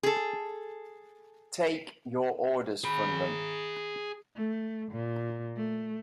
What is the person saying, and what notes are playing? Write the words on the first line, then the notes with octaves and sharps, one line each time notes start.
Take your orders from them.
G#4 A4
G#4 B5
A3
A#2
A3